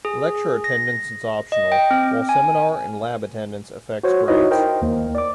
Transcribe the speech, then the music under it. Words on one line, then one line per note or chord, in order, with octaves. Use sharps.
Lecture attendance is optional, while seminar and lab attendance affects grades.
G#4
A#6
D#5
G5
C4
G#5
F#4 C5 C#5
D#4 E4 F#4 C#5 D#5
A#4 C5 D#5 G5
D#2 A#3
D5 D6